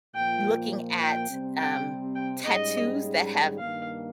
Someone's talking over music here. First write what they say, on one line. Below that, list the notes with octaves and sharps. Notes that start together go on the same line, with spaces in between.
looking at, um, tattoos that have
A#2 F3 A#3 F4 G5
G5
C3 G3 C4
G5
G5
G#2 G3 C#4 G#4 D#5
G2 D#3 A#3 F5